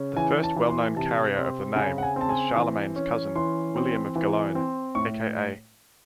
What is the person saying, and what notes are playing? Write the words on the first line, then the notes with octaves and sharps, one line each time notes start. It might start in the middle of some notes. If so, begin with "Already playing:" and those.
The first well-known carrier of the name was Charlemagne's cousin William of Gellone, a.k.a.
Already playing: C#3 C#4
E3 G#5
A5
E3
C6
C3 A5
C4
C#3 G#5
F#5
G#5
C4 A5
G#5
E3
C#4
E3 C6
C4
E3
C4
A2 C#6